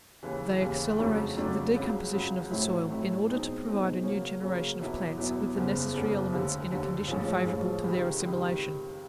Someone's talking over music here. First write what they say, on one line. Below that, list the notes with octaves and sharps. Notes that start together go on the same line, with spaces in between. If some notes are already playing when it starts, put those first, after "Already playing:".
They accelerate the decomposition of the soil, in order to provide a new generation of plants with the necessary elements in a condition favourable to their assimilation.
D#2 C#3 E3
D#2 C#3 E3
F2 C#3 F#3 A3 D4
F2 C#3 F#3 A3 D4
C#2 C#3 F#3
C#2 C#3 F#3
A2 F#3 A3 C4 E4
A2 F#3 A3 C4 E4
B2 G#3 C4 D#4
B2 G#3 C4 D#4
C#3 F#3 A#3 C#4
C#3 F#3 A#3 C#4
E2 B2 F#3 B3 E4
E2 B2 F#3 B3 E4
F#1 E2 C#3
F#1 E2 C#3
F1 D#2 D3
F1 D#2 D3
A#1 A2 F3 G#3 C#4
A#1 A2 F3 G#3 C#4
C#2 C3 D#3
C#2 C3 D#3